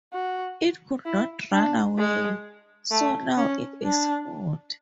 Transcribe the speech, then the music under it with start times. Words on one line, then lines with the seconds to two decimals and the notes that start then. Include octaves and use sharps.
It could not run away, so now it is food.
0.13 F#4
1.05 E4
1.52 D4
1.98 G#3
2.91 A3
3.37 C#4
3.83 D4